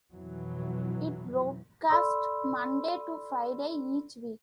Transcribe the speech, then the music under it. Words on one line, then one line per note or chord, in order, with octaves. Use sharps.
It broadcasts Monday to Friday each week.
F2 B2 E3 F#3
A4 D5 B5 C6 E6